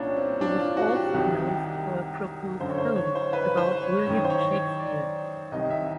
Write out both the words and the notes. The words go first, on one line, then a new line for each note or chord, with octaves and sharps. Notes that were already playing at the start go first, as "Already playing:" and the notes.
He was also announced for a proposed film about William Shakespeare.
Already playing: C2 A#2 C#4 D4 F4
C4
D4
F4
F#4
G4
C2 C3 D#3
F#2 D3 C5
C#5
C5
C#5
C5
B4
C5
C#5
F#2 D#3 C#5
C5
C#5
C#5
D5
C2 C3 D#3 D#5
E5